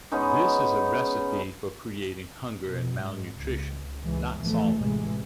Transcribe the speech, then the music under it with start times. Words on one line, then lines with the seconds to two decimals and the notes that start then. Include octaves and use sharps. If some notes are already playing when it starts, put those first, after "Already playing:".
This is a recipe for creating hunger and malnutrition, not solving it.
0.12 G#3 B3 C#4 D#4
2.67 B2
2.99 G#2
3.39 C#2
4.01 C#2 E3 G#3
4.39 A1 E2 E3 F3 A3
4.77 A1 C3 E3 G#3